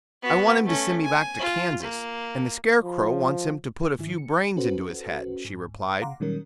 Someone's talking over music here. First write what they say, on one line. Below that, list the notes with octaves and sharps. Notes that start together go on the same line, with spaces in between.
"I want him to send me back to Kansas, and the Scarecrow wants him to put a few brains into his head," she replied.
B3 F#4
A3 C#4
G#5
F4
A#3
F3
G#2 D#3 E4
C#7
C#4 F#4 A4 B4 C5
G#2
F5 F#5 A#5 C6 D6
A#2 D#3 F#3 G3 C#4 A#4